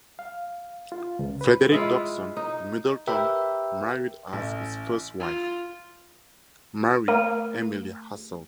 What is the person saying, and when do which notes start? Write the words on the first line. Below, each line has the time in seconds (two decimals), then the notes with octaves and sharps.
Frederick Dobson Middleton married, as his first wife, Mary Emily Hassall.
0.19 F5
0.92 F4
1.19 C#2
1.41 B4
1.72 G#3 E4 F4
2.37 D#4
3.07 G4 A#4 B4 E5 G5
4.33 A1
5.20 F4
7.08 A3 A#3